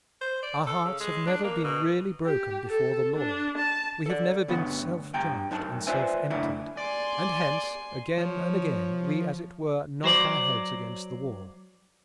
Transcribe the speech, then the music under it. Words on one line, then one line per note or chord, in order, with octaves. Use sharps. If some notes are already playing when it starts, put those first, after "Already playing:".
Our hearts have never been really broken before the Lord; we have never been self-judged and self-emptied; and hence, again and again, we, as it were, knock our heads against the wall.
C5
D5
A4
C#3
G#3
D4
A#3
B2
G4
A4
D4
A5
A4 D5
D2 G2 B3 C#4 F#5
G2 G5 A#5
F#2 D#4 A5
F4 B4 C5 D5 E5 G#5
F#2 A2 C#3 F#3 D4 E4
D5 G#5 C6
F3 C#5
F#3 C5 D5